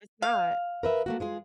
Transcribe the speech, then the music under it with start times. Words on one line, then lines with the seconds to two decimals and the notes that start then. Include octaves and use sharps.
it's not.
0.22 F5
0.83 A#4 B4 E5
1.06 A3 A#3 F#4
1.20 G#3 F4 G#4